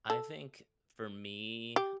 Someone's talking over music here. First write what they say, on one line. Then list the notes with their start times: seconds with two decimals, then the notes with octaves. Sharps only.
I think, for me
0.10 A4
1.76 G4